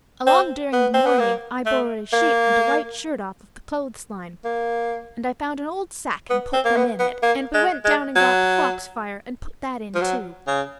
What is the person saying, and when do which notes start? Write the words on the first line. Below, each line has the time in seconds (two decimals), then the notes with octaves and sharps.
Along during the morning I borrowed a sheet and a white shirt off of the clothes-line; and I found an old sack and put them in it, and we went down and got the fox-fire, and put that in too.
0.27 C4
0.73 B3
0.94 C4
1.06 B3
1.20 A#3
1.66 A3
2.13 A#3
4.44 A#3
6.30 B3
6.53 C4
6.65 A#3
6.76 B3
7.00 B3
7.23 A#3
7.54 G#3
7.85 G#3
8.16 F#3
9.95 F3
10.01 F#3
10.47 C#3